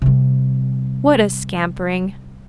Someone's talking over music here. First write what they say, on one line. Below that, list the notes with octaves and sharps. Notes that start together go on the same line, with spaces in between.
What a scampering!
C3 G3